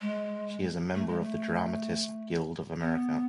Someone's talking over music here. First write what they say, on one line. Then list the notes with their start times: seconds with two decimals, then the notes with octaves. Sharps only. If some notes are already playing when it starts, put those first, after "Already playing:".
She is a member of the Dramatists Guild of America.
0.02 G#3
0.95 A3
1.08 G#3
1.21 A3
2.81 B3